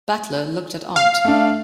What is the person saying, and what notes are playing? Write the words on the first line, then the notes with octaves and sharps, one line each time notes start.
Butler looked at aunt.
F5
A3 D4